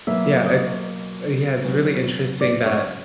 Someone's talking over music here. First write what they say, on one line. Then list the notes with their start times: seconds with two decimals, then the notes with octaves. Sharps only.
Yeah, it's uh, yeah, it's really interesting that
0.07 B2 F#3 A#3 E5
0.46 D#5
1.62 C#3 F#3 B3
2.41 D5
2.66 C#5